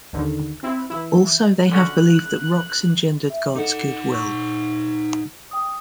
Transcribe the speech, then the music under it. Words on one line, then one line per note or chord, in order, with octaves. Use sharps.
Also, they have believed that rocks engendered God's good-will.
D#2 D3 D#3
C4 E4
E3 E4
D3 C#4 F#4 F#6
E5
D#4 A4 D#5 F#5
C#6 E6
G5 D#6